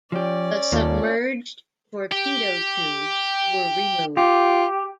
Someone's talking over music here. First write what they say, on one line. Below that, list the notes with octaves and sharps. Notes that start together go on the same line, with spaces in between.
The submerged torpedo tubes were removed.
F3 C#4 G4 D5
D#2 A#3 F4 A4
G4
F4 G4